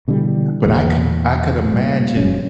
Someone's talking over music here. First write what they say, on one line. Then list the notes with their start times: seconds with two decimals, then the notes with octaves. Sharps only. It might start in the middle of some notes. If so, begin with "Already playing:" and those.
but I can I could imagine
0.08 B2 D3 E3 G3
0.65 E2 A#2
1.72 A#2 G3
2.15 F1 F#2 C#4